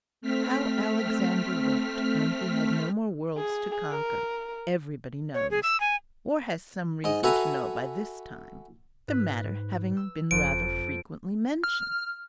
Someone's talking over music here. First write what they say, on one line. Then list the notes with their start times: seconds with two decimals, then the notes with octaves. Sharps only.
How Alexander wept when he had no more worlds to conquer, everybody knows--or has some reason to know by this time, the matter having been rather frequently mentioned.
0.21 A3 C4 F6 B6
3.37 G#4
3.91 A#4
5.34 C#5
5.51 G#4
5.63 E6
5.80 G#5
7.04 G#2 D#5
7.23 F#4 A4 B4 E5 G#5 A#5
9.08 G#2 B4 B6
9.97 E6
10.31 F#1 F2 F3 D7
11.64 F6